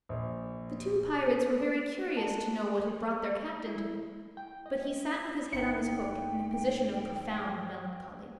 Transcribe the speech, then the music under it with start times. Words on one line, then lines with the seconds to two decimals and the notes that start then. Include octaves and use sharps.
The two pirates were very curious to know what had brought their captain to them, but he sat with his head on his hook in a position of profound melancholy.
0.09 A#1
1.25 B3
1.59 D5
2.17 A5
3.67 E4
4.37 G5
4.66 D#5
5.53 G1 D#4 E4 G5 C#7